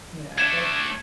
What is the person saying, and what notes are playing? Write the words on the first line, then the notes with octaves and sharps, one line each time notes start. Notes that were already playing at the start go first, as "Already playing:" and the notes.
Yeah, that
A3 D4 G#6 E7